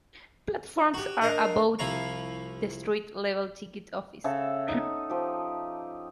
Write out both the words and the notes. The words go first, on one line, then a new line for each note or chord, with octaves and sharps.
Platforms are above the street level ticket office.
F#4 G4
D4 A#4 D#5 F5
C2 F3 E4 F5 A#5 C#6
C#3 A4 E5 F#5
D#4
F3 G4